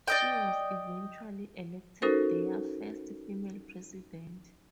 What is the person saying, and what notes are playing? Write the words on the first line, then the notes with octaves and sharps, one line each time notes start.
She was eventually elected their first female president.
D5 D#5 G5
C#4 D#4 F#4 A4 A#4 C5